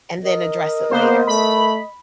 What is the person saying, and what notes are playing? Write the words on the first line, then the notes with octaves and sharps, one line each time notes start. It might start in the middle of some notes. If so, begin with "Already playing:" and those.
and then address it later.
A#4 D#5
A#3 B3 C5
A3 B5